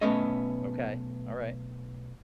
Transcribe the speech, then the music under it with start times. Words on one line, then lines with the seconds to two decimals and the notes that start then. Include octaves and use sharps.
Okay. Alright.
0.01 B1 A3 B3 C#4 C#5 D#5